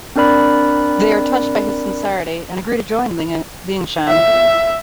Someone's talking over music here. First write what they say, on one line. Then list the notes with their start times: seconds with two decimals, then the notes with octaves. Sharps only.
They are touched by his sincerity and agree to join Liangshan.
0.16 C4 D4 A#4 D5 B5 F#6
4.08 E5